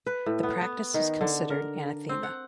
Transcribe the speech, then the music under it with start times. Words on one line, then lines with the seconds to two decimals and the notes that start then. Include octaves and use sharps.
The practice is considered anathema.
0.06 B4
0.26 A2
0.43 B3
0.61 B3
0.94 D#3
1.21 D3
1.50 A#4
2.09 C4
2.23 F#5